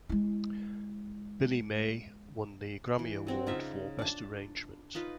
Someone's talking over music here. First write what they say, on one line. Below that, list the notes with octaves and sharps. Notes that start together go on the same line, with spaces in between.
Billy May won the Grammy Award for Best Arrangement.
G#3 E4
E3
F#3 C4 F#4
C#3 D#4 F4 E5
D4 A5
D#4 F4 B4